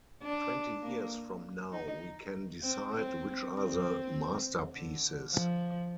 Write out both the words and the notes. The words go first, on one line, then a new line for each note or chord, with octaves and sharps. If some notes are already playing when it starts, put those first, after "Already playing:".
Twenty years from now we can decide which are the masterpieces.
D4
A#3
D#4
C4
C4
C4
D3
F3